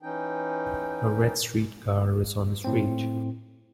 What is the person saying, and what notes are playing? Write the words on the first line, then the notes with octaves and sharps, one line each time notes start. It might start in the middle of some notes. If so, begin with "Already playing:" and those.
A red streetcar is on the street.
E3 C#4 D#4 G5
A2 C4